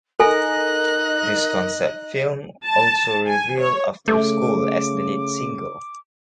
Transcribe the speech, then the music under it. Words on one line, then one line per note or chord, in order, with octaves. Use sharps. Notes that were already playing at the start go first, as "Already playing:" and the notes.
This concept film also revealed "After School" as the lead single.
D#4 A4 A#4 D#5 G#5 F#6 A#6
A5
G#5
C#5
C#3 A3 A4 D6